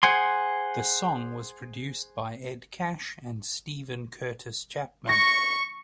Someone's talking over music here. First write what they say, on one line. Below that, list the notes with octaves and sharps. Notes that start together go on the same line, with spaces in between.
The song was produced by Ed Cash and Steven Curtis Chapman.
G#4 C5 F#5 G#5 C6
C#6 A#6